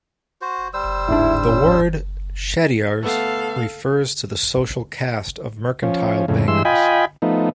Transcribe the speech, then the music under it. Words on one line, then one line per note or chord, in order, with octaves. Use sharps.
The word "Chettiars" refer to the social caste of mercantile bankers.
F#4 C5
G3 C5 E6
D1 G#2 D4 E4
C#4
A3 B3 A4 F5
F3 C#4
F2 A2 C#3
G2 E3 G#3 C6 E6
F4 D#5 G5 G#5 B5
F3 A3 B3 D#4